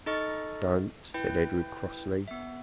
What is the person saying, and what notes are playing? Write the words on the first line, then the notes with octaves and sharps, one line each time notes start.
"Don't!" said Edred crossly.
D#4 A4 D#5 C#6 F6 A6
E4 B4 G5 G6
B3 E5